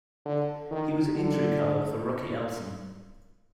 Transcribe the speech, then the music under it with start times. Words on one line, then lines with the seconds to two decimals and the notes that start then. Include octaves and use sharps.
He was injury cover for Rocky Elsom.
0.26 D3
0.71 D#3
1.16 D3